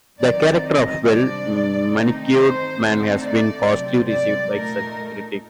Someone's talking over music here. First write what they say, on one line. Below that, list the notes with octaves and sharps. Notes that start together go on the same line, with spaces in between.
The character of the Well-Manicured Man has been positively received by critics.
D#3 F#3 C4 D#4 D5
D#5
C3 G3 D4 D5
D#3 A3 C4 D#4
C5
D3 A3 C4 D#4
D5
C3 F#3 A3 C4
D5
A#2 A3 D#4 A#4